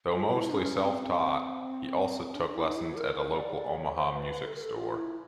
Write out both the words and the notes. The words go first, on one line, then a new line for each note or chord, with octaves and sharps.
Though mostly self-taught, he also took lessons at a local Omaha music store.
F4
E4
C#4
C4
D4
E4
D#4
E4
A#4
A#4
D5
D5
C#5
C5
B4
A4
A#4
A4
F4
E4